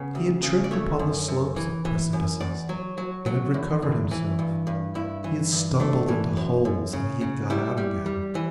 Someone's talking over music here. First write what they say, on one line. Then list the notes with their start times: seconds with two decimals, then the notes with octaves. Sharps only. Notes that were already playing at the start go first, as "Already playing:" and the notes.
He had tripped upon the slopes of precipices, and had recovered himself; he had stumbled into holes, and had got out again.
Already playing: C#3 B3
0.15 D2
0.43 C#3
0.64 D5
0.71 A3 C#5
0.99 F#2
1.28 F#2
1.56 E3
1.85 E3
2.13 F#2
2.40 E2 D5
2.69 F#3
2.98 F#3
3.26 F#3
3.54 E2
3.82 E2
4.11 E3
4.39 G2
4.67 G2
4.95 G2 E4
5.24 E3
5.53 G2
5.80 A3 D4
6.08 E3
6.37 F#2
6.65 F#2
6.93 C#3
7.21 C#3
7.50 G3 E4
7.77 G3
8.06 G3
8.35 E3